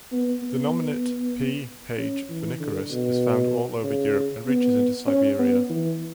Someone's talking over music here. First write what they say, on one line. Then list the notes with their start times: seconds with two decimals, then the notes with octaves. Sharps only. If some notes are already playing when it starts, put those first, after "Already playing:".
The nominate "P. page phoenicurus" is found all over Europe and reaches into Siberia.
0.12 B3
0.43 B3
1.98 C#4
2.29 E3
2.60 D3
2.91 B2
3.84 C#3
4.45 B3
5.07 C#4
5.39 B3
5.70 E3